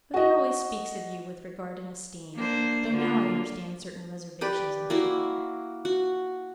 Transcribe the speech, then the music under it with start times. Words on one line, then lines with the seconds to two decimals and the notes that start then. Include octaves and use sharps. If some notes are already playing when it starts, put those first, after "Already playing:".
But he always speaks of you with regard and esteem, though now I understand certain reservations in his manner.'
0.14 F#4 D#5
2.35 A#3 D4 C5
2.91 D3 A#3 F4
4.41 G4 B4 D5
4.90 A#3 E4 F#4
5.85 F#4